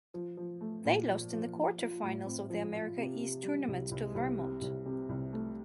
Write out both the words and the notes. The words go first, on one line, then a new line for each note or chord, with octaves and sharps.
They lost in the quarterfinals of the America East Tournament to Vermont.
F3
F3
A3
A#2
F3
F3
F3
F4
A2
C4
F3
F4
C3
C3
G3
C2
C2
C2
C3
C2
C3
C2
A3